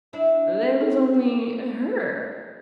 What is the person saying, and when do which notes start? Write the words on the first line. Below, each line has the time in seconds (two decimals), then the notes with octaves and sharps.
"There was only HER."
0.13 D4 E4 E5
0.81 D#4 G#4 A4